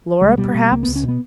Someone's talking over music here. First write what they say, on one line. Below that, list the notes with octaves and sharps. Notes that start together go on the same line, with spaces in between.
Laura perhaps....'
C#2 G3
G#3
B2 G3
B2
C#2 A#3
C#2 B3
C#4
B2 B3